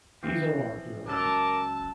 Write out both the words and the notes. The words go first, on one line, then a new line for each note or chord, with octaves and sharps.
These are our heroines.
E3 F3 C4
C#2 F#3 A4 A#4 A5 D6